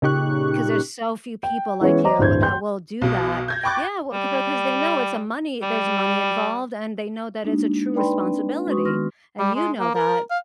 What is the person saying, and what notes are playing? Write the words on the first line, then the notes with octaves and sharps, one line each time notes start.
'Cause there's so few people like you, that will do that. Yeah well ‘c because they know it's a money there's money involved, and they know that it's a true responsibility, and you know that.
A#2 C#3 D#4 G4 C#6 F#6
G5
E3 G#3 B3 C#4 C#5
C5 D5 D#5 A#5 D6
D1 G2 E3 C5 G6 G#6
G5 C6 G6
B1 B2
G6 G#6 A#6
G5 B5 C#6 D6 F#6 A6
G3
G3
G#3 A#3 D4 D#4 F#4
D#4 B4 D5 G5 B5 C6
C4 D4
G#3 F#4 B4 C6 C#6 D#6
D#3 B3 C6 C#6 F6 A#6
G3
G#3
A#3
A#4
F5